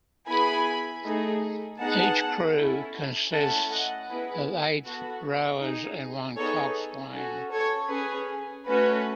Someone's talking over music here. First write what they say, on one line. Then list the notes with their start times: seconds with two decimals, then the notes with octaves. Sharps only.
Each crew consists of eight rowers and one coxswain.
0.27 B3 E4 G#4 G#5 B5
1.03 A3 D#4 G#4
1.79 B3 D#4 G#4 F#5 A5
2.55 C#4 E4 A4
3.32 A3 C#4 E4 A4 F#5 A5
3.70 D#5 F#5
4.08 B3 E4 G#4 B4
4.84 B3 F#4 A4
5.61 D#4 G#4
6.37 B3 D#4 G#4 A4 C#5
7.13 C#4 F#4 A4
7.51 A4 C#5
7.89 C#4 G#4 B4
8.66 A3 C#4 F#4 A4 B4